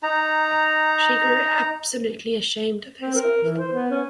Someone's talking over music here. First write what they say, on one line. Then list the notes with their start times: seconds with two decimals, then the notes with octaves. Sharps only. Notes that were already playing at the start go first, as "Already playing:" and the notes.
She grew absolutely ashamed of herself.
0.03 D#4 A#5
3.01 C4
3.15 A#4
3.44 E3
3.58 C5
3.73 B3
3.91 C#4